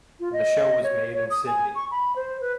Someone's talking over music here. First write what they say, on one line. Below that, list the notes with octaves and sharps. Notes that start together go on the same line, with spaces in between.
The show was made in Sydney.
F4
D#5
C#5
C#5
D#6
G#5
C#6
B5
C5
B4